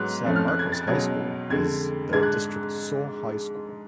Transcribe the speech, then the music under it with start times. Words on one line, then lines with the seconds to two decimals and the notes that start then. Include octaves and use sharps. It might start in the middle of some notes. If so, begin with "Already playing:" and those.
San Marcos High School is the district's sole high school.
Already playing: G#2 F#3 B3 F#6
0.24 F2 F3 A3 C#4
0.36 F6
0.48 F#6
0.59 G#6
0.72 A6
0.87 C#2 B2 F#3 G#6
1.50 F2 D3 G#3 G#6
2.13 G#2 G#3 D4 G#6
2.23 F#6